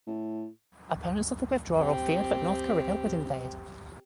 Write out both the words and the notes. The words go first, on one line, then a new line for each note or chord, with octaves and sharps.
Opponents of the withdrawal feared that North Korea would invade.
A2
C4 G4